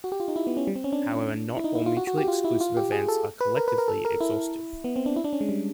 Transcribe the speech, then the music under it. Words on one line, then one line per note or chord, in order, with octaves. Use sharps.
However, not all mutually exclusive events are collectively exhaustive.
F#4
G4
F4
D#4
E4
B3
C#4
G3
C4
C#4
D4
E4
D#4
E4
F4
F#4
F#4
G4
F4
E4
F4
G4
G#4
A4
B4
A#4
B4
A#4
A4
A#4
E4
B3
C4
D4
E4
D4
C#4
G#3
G3